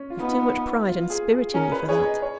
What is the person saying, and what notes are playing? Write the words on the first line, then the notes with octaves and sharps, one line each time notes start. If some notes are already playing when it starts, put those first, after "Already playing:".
You've too much pride and spirit in you for that.
Already playing: C#4
F4
B3 D#4
F4
G#4
G#4
C#4 A#4
B4
G#4 C#5
D#5
C#5